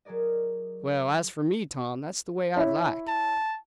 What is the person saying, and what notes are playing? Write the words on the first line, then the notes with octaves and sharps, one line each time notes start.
"Well, as for me, Tom, that's the way I'd like."
F#3 G#4 A#4 D5 D#5
E4 C#5
A5